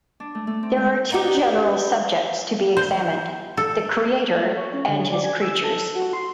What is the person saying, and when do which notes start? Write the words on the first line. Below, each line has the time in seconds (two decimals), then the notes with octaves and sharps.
There are two general subjects to be examined: the creator and his creatures.
0.20 D4
0.35 A3
0.47 A3
0.63 C4
0.77 G#3
1.10 B3 D#4 G4
2.77 C5
3.57 A4
4.36 A3
4.57 C#5
4.73 C#4
4.88 D3
5.12 D5
5.24 G#5
5.42 E6
5.64 A4
5.95 F#4
6.13 C6